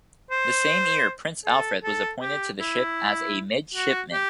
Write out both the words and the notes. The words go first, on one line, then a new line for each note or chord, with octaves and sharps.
The same year Prince Alfred was appointed to the ship as a midshipman.
C5
A4
A4
G4
E4
F#4
G4